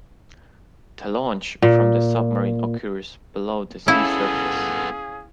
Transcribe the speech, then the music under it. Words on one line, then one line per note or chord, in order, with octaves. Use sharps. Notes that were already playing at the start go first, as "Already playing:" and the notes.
The launch from the submarine occurs below the sea surface.
A#2
B3 C#4 E4 G#4 A4 F5